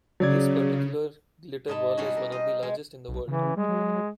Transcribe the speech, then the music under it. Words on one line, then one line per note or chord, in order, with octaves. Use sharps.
This particular glitter ball is one of the largest in the world.
C#3 F#3 D5 G#6
G#2 D#4 A5 B5
G3 C4 C#4 D#4 E4 F#4
A#4
C5 D#5
G#3
B1
C#3 E3
G3 G#3
F#3